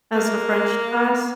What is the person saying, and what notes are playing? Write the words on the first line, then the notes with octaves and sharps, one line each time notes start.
as the French class
A#3